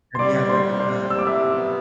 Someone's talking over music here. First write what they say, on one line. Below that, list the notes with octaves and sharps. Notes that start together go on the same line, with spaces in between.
Have you had, like, uh,
C6
G3 D5 D6
C5 C6
C3
C5 C6
C3 E6
D6
E5 E6
B3